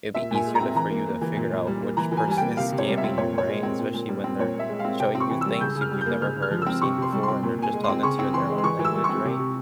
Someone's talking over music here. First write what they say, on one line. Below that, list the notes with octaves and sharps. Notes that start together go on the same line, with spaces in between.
it'd be easier to for you to figure out which person is scamming you, right, especially when they're showing you things you've you've never heard or seen before, and they're just talking to you in their own language, right,
A#2 E5
A#2 G#5
G#3
A#5
C4
E3 A#5
A#3
A#3
E3
A#2
A#2
G3
A#3
E3 A#5
E3
G#5
G3 G#5
A#3 G5
C3 F5
C3
C#5
G3
E5
C4
A#2 C#5
A#2 C#5
G#3
C4
A#2
A#2
G3
C4
A#2 C#5
A#2
E5
G#3
F5
C4
C3 G5
C4
C#6
E3
G3 E6
C#3 G6
C#3
F6
G3
G6
A#3
C#3 F6
C#3
F6
F3
C4 E6
C3 C#6
C3 C6
G3
C6
C4
A#2
A#2 G#5
G#3
C6
C4
C#3 C#6
C4
E3 C6
G#3
C6
E3 C#6
E3
E6
G3
C#6
C4
C3
C3